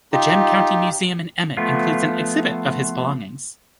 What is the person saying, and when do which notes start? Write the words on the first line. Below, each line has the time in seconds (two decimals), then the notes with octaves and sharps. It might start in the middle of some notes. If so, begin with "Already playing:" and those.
The Gem County Museum in Emmett includes an exhibit of his belongings.
0.13 D#4 F4 G4
1.57 F3 A3 B3 F4